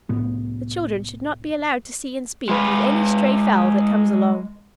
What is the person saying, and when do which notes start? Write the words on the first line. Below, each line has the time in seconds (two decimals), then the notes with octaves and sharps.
The children should not be allowed to see and speak with any stray fowl that comes along.
0.09 C2 A2 B3
2.49 G#3 B4